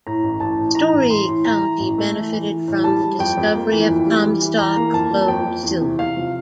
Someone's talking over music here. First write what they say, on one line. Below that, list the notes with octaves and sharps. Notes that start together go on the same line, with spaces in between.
Storey County benefited from the discovery of Comstock Lode silver.
A2 A#5
A1
A1 A5
A2
E3 A#5
A1
E3 C6
A2
E3 A#5
E3
A1
A3
E3
E3
E3
A2
G3 A5
G3
F2 G5
F2
A#3
E3
F2
G3
E3
E3
E3 A#5
A#3
F2 A5
A#3
A5
F2 G5
F2
E2
C3
C3 F5
F3